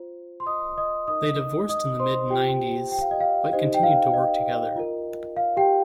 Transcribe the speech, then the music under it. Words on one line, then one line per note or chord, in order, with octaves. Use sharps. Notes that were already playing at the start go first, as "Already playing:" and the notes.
They divorced in the mid-nineties but continued to work together.
Already playing: F4 C5
C6
D#5 D#6
D#5 D#6
D#4 A#4 D#5 D#6
D#5 D#6
C5 C6
F4 G4 C5 G5
G5
F5
D#5
F5
D#4 G4 C5 D#5
G5
F5
D#5
F4 A#4
F5
G4 G5